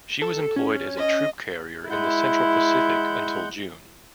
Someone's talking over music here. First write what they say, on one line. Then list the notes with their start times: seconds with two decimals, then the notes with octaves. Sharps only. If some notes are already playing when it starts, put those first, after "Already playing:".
She was employed as a troop carrier in the Central Pacific until June.
0.22 A4
0.56 C#4
0.98 D#5
1.90 G#3 E4 F#5 G6